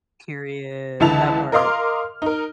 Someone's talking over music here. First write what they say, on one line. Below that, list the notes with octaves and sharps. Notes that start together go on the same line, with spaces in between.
Period, that part.
C#2 D3 E3 E4 A5 F7
A#4 D#5 F5 C6 D6 F6
D#4 A#4